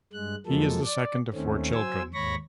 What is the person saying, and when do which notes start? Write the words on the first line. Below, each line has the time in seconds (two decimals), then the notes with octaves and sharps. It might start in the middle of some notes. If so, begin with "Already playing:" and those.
He is the second of four children.
0.13 G2 G#3 F#6
0.47 F2 F3 F#3 G#3 A#3 A4
0.85 D5
1.34 D#2 D#3 A3 C4 C#4
1.74 F#3 C5 G#5 E6
2.14 D#2 G#2 C#5 B5 C#6 A#6